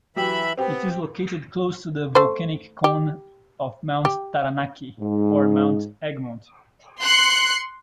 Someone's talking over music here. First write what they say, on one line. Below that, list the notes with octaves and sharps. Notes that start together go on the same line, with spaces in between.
It is located close to the volcanic cone of Mount Taranaki or Mount Egmont.
E3 F#3 G4 E5 B5
B3 C4 G4
A3 C5
G4
G4
G#2
C6 F#6 C7 C#7